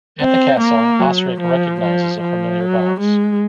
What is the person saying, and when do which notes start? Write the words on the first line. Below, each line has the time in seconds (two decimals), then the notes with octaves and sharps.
At the castle, Osric recognizes a familiar box.
0.20 C4
0.60 A#3
1.00 F#3
1.40 F3
1.81 F3
2.21 F3
2.60 F#3
3.00 G#3